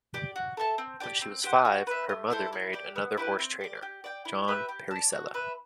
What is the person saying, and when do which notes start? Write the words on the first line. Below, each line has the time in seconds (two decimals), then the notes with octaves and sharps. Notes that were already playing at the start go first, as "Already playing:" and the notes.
When she was five, her mother married another horse trainer, John Parisella.
0.14 G4 D5
0.36 F#4
0.57 A4 E5 A5
0.78 C4
1.00 G4 D5 G5
1.22 C4
1.44 G4 C5 F#5
1.65 F#4
1.87 B4 E5
2.09 A3
2.30 E4 A4 C5
2.53 E4
2.73 G4 D5
2.96 B3
3.17 E4 G4 B4
3.39 C4
3.61 G4 D5
3.82 G4
4.04 D5 G5
4.25 E4
4.48 G4 B4 E5
4.69 G4
4.91 D5 A5
5.13 F#4
5.34 B4 E5